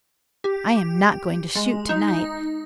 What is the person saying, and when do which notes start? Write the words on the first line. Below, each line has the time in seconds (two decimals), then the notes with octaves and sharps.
I am not going to shoot to-night.
0.44 G4
1.55 G#3
1.89 D#4